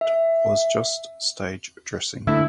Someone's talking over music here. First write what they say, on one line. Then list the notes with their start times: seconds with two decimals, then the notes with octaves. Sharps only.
I was just stage dressing.
0.01 E5
2.27 D3 A3 E4